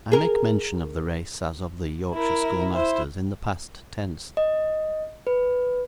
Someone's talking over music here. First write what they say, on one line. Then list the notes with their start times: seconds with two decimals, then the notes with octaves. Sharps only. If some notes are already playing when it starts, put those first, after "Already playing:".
I make mention of the race, as of the Yorkshire schoolmasters, in the past tense.
0.12 G#4 A#4
2.14 E4 A#4
2.73 E4 C5 E5
4.37 D#5
5.27 B4